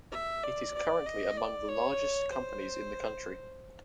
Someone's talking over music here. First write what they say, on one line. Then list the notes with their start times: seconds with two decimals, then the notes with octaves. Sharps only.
It is currently among the largest companies in the country.
0.12 E5
0.43 D5
0.75 D5
1.06 D#5
1.37 D5
1.69 C#5
2.32 C5